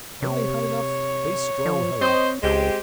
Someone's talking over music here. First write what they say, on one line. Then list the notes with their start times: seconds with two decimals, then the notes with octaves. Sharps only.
When they have had enough, they stroll home.
0.22 C3 C#5
1.65 F3
2.01 C4 C5 D#5
2.43 C#2 G#3 C4 G4